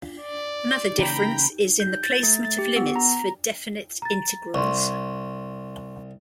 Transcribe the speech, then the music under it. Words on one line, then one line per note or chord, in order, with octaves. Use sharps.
Another difference is in the placement of limits for definite integrals.
D5
C#3 E3 A#3 G5 A#5 B5
G6
A6
A3
A6
G4
B3
A#5
A#5 A6
C2 C6 C#6